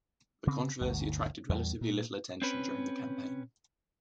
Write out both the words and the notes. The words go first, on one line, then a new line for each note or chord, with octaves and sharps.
The controversy attracted relatively little attention during the campaign.
C#3 C4
G1 D2
E2 G3
A#2
C4 C#4 B4